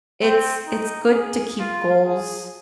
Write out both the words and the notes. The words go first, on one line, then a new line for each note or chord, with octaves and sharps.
It's it's good to keep goals
C4
D#4
G#4
F4
G#4